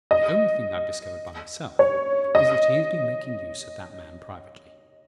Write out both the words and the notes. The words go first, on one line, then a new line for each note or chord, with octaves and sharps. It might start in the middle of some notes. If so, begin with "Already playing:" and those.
The only thing I've discovered by myself is that he has been making use of that man privately.
D#5
C#5
D#5